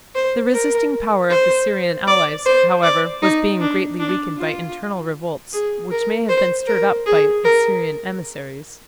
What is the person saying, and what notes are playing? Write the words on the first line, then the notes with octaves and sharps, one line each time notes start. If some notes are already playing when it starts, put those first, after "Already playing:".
The resisting power of the Syrian allies, however, was being greatly weakened by internal revolts, which may have been stirred up by Assyrian emissaries.
C5
A#4
C5
D5
C5
D5
D#4
D4
D4
F4
G#4
A#4
C5
A#4
G#4
A#4